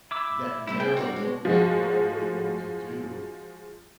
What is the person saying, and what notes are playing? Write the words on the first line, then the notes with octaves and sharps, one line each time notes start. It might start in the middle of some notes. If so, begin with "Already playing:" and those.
that narrow focus of what I really wanted to do
E4 D6 E6
C3 G3 C4 E4
G#4 G5
G3 C4 D4 F#4 D5
D2 G#3 C#5
F3 G#3 F#4